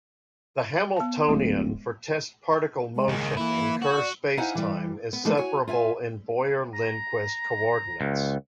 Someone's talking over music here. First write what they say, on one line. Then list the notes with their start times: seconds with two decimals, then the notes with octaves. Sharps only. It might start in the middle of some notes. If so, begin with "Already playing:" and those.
The Hamiltonian for test particle motion in Kerr spacetime is separable in Boyer-Lindquist coordinates.
0.96 B3 A5
1.28 D1 G#3
2.95 G#3
3.08 C#2 D#3
3.37 E3 A#3 E4
3.82 F#4
3.97 D5
4.37 D#4 E4 C5 F5 F#5 G#5
4.55 E3 G3
5.13 B3
5.25 E3 G#3 A#3 D#4 A4
5.37 F#4 C#5 G#5
5.67 F4 E5 F5 G#5
6.74 A#5
8.01 C#2